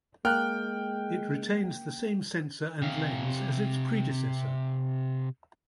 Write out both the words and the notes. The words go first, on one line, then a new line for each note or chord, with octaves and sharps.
It retains the same sensor and lens as its predecessor.
G#3 A#3 G5 F6 F#6
C3 F5